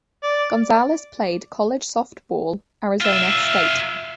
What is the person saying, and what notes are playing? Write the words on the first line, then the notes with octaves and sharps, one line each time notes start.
Gonzales played college softball Arizona State.
D5
F4 E5